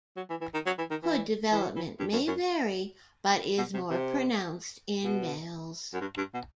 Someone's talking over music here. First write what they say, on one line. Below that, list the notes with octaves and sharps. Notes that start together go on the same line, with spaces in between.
Hood development may vary but is more pronounced in males.
F#3
E3
E3
D#3
F#3
E3
D#3
E3
E3
F#3
E3
G2
F#2
F#2
B2
C3
C3
B2
F#2
G2
G2
B2